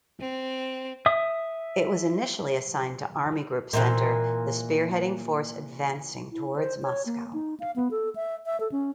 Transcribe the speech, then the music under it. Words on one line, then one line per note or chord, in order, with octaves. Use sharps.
It was initially assigned to Army Group Center, the spearheading force advancing towards Moscow.
C4
E5 D#6
A#2 E3 C4
E4
C5
C#5
A#3
D#4
F5
B3
A4
E5
E5
A4
C#4